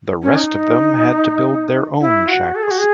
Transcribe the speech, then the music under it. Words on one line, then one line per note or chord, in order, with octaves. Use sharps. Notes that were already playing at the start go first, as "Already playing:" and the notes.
The rest of them had to build their own shacks.
C#4
D#4
E4
F#4
A4
G#4
F#4
G#4